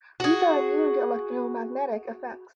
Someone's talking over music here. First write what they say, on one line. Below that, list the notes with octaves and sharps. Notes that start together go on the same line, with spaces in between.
These are immune to electromagnetic effects.
F#4 G#4